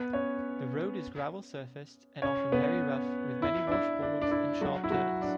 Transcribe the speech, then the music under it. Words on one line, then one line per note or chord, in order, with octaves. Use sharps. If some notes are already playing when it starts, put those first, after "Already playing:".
The road is gravel-surfaced, and often very rough with many washboards and sharp turns.
Already playing: B3 B4
C#4 C#5
C#4 C#5
B3 B4
E4
D4
E4
D4
D4
E4
F#3 F#4
E4
F#3 F#4
D4